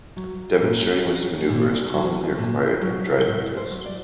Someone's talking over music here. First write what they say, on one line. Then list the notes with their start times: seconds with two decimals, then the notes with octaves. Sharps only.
Demonstrating this manoeuvre is commonly required in a driving test.
0.16 F#3
0.61 A#2
1.05 F#3
1.49 A#2
1.93 F#3
2.38 A#2
2.82 F#3
3.26 A2
3.56 C5
3.70 F#3
3.85 D5